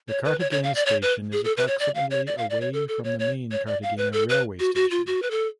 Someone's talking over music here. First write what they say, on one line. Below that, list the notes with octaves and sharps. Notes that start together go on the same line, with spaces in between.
The Cartagena station is approximately away from the main Cartagena railway station.
C#5
B4
C#5
C#5
F5
D5
C#5
B4
G#4
A4
B4
C#5
D5
F5
C#5
D5
F5
D5
C#5
A4
A4
C#5
C#5
C#5
D5
F5
B4
A4
B4
F#4
F#4
F4
F#4
B4
A4